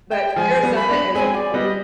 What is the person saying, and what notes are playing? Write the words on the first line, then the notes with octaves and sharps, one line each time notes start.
but Arizona is a pla
G5
G5
F3 G#3 G#5
G3 B3
B5
B3 D4
G#3 C4 G#5
D5
G3 B3 D#5